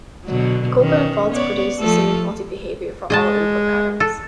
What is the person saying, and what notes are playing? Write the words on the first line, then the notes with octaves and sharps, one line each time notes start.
Equivalent faults produce the same faulty behavior for all input patterns.
B2 D3 F#3
D#3 C#4
B3 C#5 D5
F3 A3 A4
G#3 G#4 D#5 A5
A4